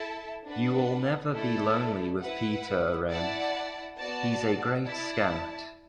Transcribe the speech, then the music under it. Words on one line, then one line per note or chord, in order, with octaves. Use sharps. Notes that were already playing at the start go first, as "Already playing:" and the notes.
You'll never be lonely with Peter around. He's a great scout.
Already playing: E4 A4 E5 A5
D4 B4 F#5
A3 E4 A4 D5
E4 B4 F#5
E4 D5 F#5 A5
B3 F#4 D5 A5
E4 D5 A5